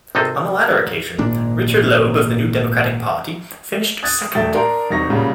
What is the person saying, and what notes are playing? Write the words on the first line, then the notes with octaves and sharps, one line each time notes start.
On the latter occasion, Richard Loeb of the New Democratic Party finished second.
G#1 C3 C4 A4 D#5
G#1 A#2 D4
D#6 F#6 G#6 A6
E1 A3 E5 G5 A6
D4 A#4 C6
E1 C3 D#4 C#6 A#6
C2 G2 A#2 C#3 G3